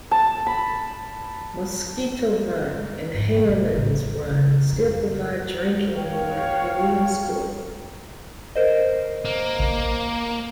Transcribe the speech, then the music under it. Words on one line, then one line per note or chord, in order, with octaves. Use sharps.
Mosquito Run and Hagerman's Run still provide drinking water for Williamsport.
A5
B5
G#2 F3
B2 A#3
A1 C#3
D#2
C#3 E4
F2 A3
F#4 C#5 F5 G5
A#4 C5 D#5
A#3